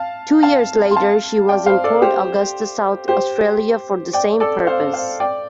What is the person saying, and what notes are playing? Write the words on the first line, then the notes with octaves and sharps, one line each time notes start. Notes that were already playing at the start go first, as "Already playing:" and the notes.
Two years later she was in Port Augusta, South Australia, for the same purpose.
Already playing: F5 A5
F5 A5
C6
F5 A5
D5 G5
C5 F5
A4 D5
G4 C5
G4 C5
D5 G5
A4 D5
C5 F5
C5 F5
D5 G5